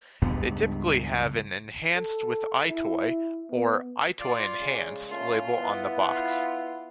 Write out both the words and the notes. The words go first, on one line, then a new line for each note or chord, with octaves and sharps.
They typically have an "Enhanced with EyeToy" or "EyeToy Enhanced" label on the box.
C#2 G2 B3
A4
E4
B3
F4 D5
C#3 G#3
A3 A#3 C#4 F4
B3 E4
F4